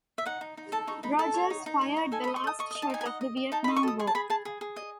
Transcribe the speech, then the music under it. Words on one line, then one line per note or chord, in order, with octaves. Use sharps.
"Rogers" fired the last shot of the Vietnam War.
E5
D#4 F#5
D#4
D#4
A4 A5
D#4 C#6
D#4 B5
A4 A5
C#5
D#4
D#4
C#5
D#4
A4 G#5
B5
D#5
C#6
A4 D#6
D#5 C#6
D#6
D#5
A5
D#4 G#5
G#5
D#5 F#5
D#5
D#5
D#4 A5
B5
D#5
C#6
A4 D#6
G#4 C#6
A5
G#4 B5
G#4 A5
G#4
G#4
D#5